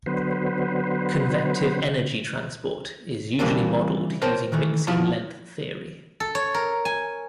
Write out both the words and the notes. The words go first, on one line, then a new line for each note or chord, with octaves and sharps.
Convective energy transport is usually modeled using mixing length theory.
D3 F#3 B3 B4 C5
C#3 E3 G3 A#3 C4 D4
A#4 C5 C#5 G5 A5
D#3 E3 A3
E2 F3 E4 F4 F#5 A5
A4
C#5
A#4
G#5